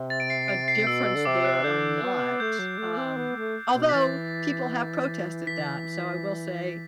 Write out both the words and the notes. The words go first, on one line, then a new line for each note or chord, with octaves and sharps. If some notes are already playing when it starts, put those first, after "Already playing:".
a difference there, or not, um, although people have protested that. So, I will say,
Already playing: C3
A6
D7
C7
D7
C7
B2 E6
E6
D3
C3 D6
F#6
D3 G6
B3
A3 G6
F#3
A3
C4
B3
A3
B2
B6
E3 A6
B6